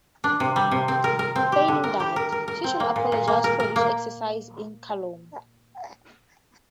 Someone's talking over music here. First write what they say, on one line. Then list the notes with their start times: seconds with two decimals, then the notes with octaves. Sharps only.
Failing that, she should apologize for this exercise in calumny.
0.24 D4
0.40 C3
0.56 G3
0.71 C3
0.88 C4
1.04 A#4
1.19 A#4
1.36 C4
1.52 G4
1.68 D3
1.84 A#4
2.00 G4
2.16 A#4
2.32 A#4
2.48 A#4
2.64 C4
2.80 A#3
2.96 A#2
3.12 A#2
3.27 A#3
3.44 A#4
3.60 A#4
3.76 A#3